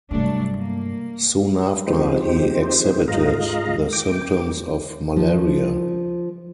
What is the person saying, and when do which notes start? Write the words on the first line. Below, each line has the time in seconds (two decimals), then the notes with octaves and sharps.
Soon after, he exhibited the symptoms of malaria.
0.11 G2 C3 F#3 A3 D4
0.59 A#3
1.87 F3 G#3 C4 D#4 G4 C5
3.08 G#2 G#3 F4 D#5 F5 A#5
3.93 G5 D6
5.16 F3